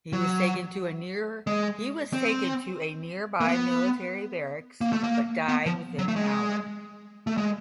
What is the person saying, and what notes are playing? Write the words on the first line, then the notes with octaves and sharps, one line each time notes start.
He was taken to a nearby military barracks but died within an hour.
F#3
G#3
C4
A#3
B3
A#3
A3
A#3
B3
F3
F#3
A3
G#3
A3
G#3